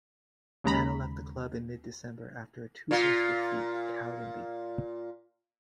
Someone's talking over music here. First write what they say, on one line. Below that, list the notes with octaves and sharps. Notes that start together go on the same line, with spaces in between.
Hannah left the club in mid-December after a toothless defeat to Cowdenbeath.
D#2 C#3 G#3 A#5 B5
A#2 F4